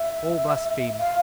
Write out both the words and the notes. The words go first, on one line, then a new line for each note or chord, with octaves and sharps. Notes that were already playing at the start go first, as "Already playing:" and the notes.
All blaspheme.
Already playing: E5
F5